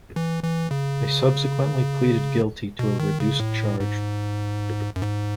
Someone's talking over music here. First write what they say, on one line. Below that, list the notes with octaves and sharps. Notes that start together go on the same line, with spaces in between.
They subsequently pleaded guilty to a reduced charge.
E3
E3
C#3
B2
D#3
C#3
A2
G#2
F#2
G#2